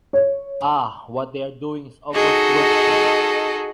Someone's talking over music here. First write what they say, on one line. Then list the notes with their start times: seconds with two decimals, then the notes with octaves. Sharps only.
Ah! What they are doing is august work.
0.13 C#5
2.14 D#4 F#4 G#4 A4 D#5